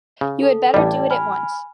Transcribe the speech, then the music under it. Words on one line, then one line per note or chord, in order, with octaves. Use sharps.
You had better do it at once.
C#3
A4
A1 G3 D5 G5 A5
G#5 B5 F6